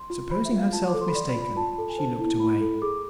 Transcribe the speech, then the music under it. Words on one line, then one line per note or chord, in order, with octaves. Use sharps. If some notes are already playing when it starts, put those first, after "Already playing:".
Supposing herself mistaken, she looked away.
Already playing: C6
F4
C5 B5
E5
F4
F5
F4 A5
D6
A4
C6
B5
D5 C6
B5
F4
B5
F4 A5
A4
G#5
C5 A5
E4
E4 B5
A4
G#4 D6